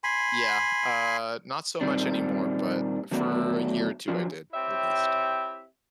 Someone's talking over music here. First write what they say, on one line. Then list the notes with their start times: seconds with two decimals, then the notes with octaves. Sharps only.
Yeah, uh, not so much anymore, but for a year or two I did, at least.
0.04 G#5 B5 C6
1.81 A#2 D#3 G3 C4 D4
3.11 D3 D#3 F#3 A3 B3 D4
4.08 F3 F#3 D4 F4
4.53 C4 E4 G4 C#5 E5